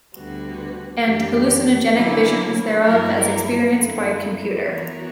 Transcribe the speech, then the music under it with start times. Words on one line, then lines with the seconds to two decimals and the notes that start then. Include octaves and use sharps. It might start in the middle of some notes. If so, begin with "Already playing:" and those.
And hallucinogenic visions thereof as experienced by a computer.
0.14 D2 D3 G3 B3 F#4
1.04 F#2 E3 A#3 D4 G4
1.94 D3 F#3 A#3 C#4 E4
2.85 G2 F#3 A#3 E4 A#4
3.74 F#2 D3 A#3 E4
4.64 E3 B3 F#4 A#4 C#5